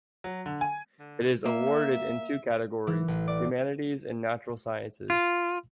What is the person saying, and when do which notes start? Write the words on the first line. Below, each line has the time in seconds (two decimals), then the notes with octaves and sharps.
It is awarded in two categories: humanities and natural sciences.
0.24 F#3
0.46 D3
0.61 G#5
0.99 D3
1.46 A#3 E5
2.87 E3
3.08 A1
3.28 D5
5.10 F4